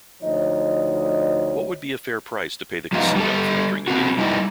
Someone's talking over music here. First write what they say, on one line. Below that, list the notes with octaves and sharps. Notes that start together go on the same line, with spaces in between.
What would be a fair price to pay the casino for entering the game?
D2 F3 D#4 C#5 D#5
F3 G3 B3 D#4 F4
G3 A4
C4 F4 F#4
G3 D#4 E4